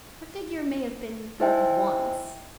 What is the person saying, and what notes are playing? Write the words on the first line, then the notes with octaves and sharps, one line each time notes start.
"Her figure may have been good once."
D#4 E4 C5 E5 G5 G#5